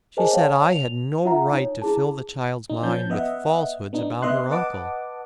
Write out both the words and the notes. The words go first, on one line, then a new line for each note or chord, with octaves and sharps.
She said I had no right to fill the child's mind with falsehoods about her uncle.
G#4 A#4 C5 D#5 G#5 A5
C#5 F5 G5 A5
F7
F4 E5 F#5 A#5
D#4 C#5
E4 G#4 A5
D#4
F3 C#4 A5 G6
B3 D#5 E5 F#5
B3 D4 D#4
B3 D#5 E5 C6 F#6
B4 D#5 F#5 A5 D6